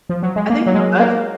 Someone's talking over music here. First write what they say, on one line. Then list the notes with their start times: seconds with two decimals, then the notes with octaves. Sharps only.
I think for us
0.09 F3
0.23 F#3
0.36 G#3
0.50 A#3
0.66 F#3
0.74 G#3
0.99 A#3